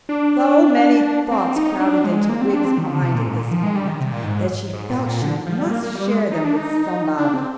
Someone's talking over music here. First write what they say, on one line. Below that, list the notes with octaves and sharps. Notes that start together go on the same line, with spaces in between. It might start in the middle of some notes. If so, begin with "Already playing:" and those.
So many thoughts crowded into Wiggs's mind at this moment that she felt she must share them with somebody.
D4
C4
D#4
D4
G#3
A#3
C4
D4
C4
D#3
D3
C3
A#2
G#2
A#2
F3
G#3
G3
D#3
C3
A#2
G#2
G#2
A#2
A#2
D3
F3
G3
A#3
A#3
G3
G#3
D#4
D4
D#4
D4
C4